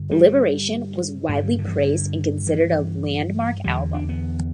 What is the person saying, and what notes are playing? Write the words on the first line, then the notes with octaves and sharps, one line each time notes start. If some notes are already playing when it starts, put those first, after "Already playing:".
"Liberation" was widely praised and considered a landmark album.
Already playing: G2 D3
G3
G2 D3 G3
D3
E3
D3
E3
E2 D3 G3
D4
B3